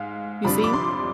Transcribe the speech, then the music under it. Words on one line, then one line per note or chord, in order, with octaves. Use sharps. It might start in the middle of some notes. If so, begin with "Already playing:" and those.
you see?
Already playing: G#2 G#3 F5
F2 C3 G3 D4 B5
D6
C6